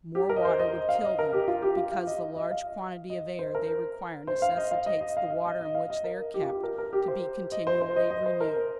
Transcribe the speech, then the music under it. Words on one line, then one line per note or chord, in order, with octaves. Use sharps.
More water would kill them, because the large quantity of air they require necessitates the water in which they are kept, to be continually renewed.
G4
A#4
D#5
C5
D#5
D#5
F5
D#5
A#4
G4
F4
G4
F4
F5
D#5
D#5
F5
D#5
C5
A#4
C5
F5
D#5
F5
D#5
D#5
F5
D#5
D#5
D#5
F5
D#5
A#4
G4
F4
G4
A#4
A#4
G4
C5
D#5
C5
C5
D#5
D#5
C5
A#4